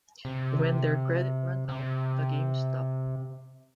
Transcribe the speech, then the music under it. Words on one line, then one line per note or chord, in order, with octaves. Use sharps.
When their credit ran out, the game stopped.
C3
C3